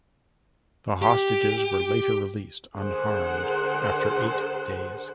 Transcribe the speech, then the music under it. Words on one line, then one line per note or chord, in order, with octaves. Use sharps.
The hostages were later released unharmed after eight days.
G4
D3 G#4 A#4 C5 F#5